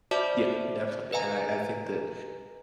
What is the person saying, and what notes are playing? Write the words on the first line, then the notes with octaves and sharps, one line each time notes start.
Yeah. Definitely, and I I think that
F#4 C5 D5 E5 A5 D6
B4 D#5 F5 G#5 A#5